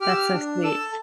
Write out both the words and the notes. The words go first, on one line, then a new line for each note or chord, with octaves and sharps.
That's so sweet.
G4 F6
E6
F6
D4
A4 E6